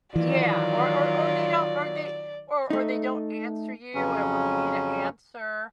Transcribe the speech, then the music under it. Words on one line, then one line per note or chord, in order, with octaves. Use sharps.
Yeah. Or or or they don't, or they or or they don't answer you at when you need an answer
D#3 E3 F#3 F4 D5
A3 D#4
F2 C#3 F#3 C#4